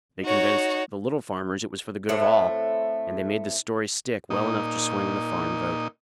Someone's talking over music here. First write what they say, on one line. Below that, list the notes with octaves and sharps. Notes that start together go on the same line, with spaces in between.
They convinced the little farmers it was for the good of all, and they made the story stick well enough to swing the farm vote.
D#4 F#4 C#5
A2 A3 C4 F#5
A#2 D#4